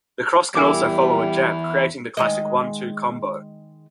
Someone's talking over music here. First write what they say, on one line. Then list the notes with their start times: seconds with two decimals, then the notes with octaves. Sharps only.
The cross can also follow a jab, creating the classic "one-two combo".
0.55 E2 G3 E4 A#4 G#5 D6
2.17 D#3 G#3 D#5